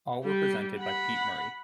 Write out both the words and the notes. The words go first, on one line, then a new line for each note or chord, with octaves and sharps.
All were presented by Pete Murray.
G3 G4
F#5 B5